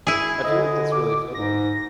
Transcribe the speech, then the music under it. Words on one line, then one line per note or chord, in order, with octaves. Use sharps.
E I feel like that's really fitting.
E4 G#4 G#5
D3 D#5
D6
G#2 A#6